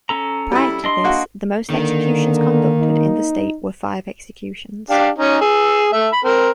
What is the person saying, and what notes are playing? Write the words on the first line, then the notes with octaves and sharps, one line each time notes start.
Prior to this, the most executions conducted in the state were five executions.
C#4 A4 A#5
G3 E4
D4 D#5 C6
A#3 F#4
D3 D#3 A#3
D#4
D4 G4 F5
C#4 D#4
G#4 E6
A3 E5
B5
C4 A#4